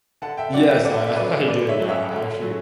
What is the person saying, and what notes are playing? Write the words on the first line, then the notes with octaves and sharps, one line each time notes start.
Yes, I I do, yeah, I actually
D3 F#5 A5
E5 G5
F#3 A3 C#4 D5 F#5
E5 G5
D3 D5 F#5
E5
F#3 A3 C#4 B4 D5
D3 B4 D5
C#5 E5
F#3 A3 C#4
C#5 E5
D3
F#3 A3 C#4